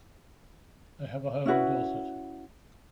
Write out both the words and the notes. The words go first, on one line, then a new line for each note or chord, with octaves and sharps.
They have a home in Dorset.
C#4 E4 F#4 B4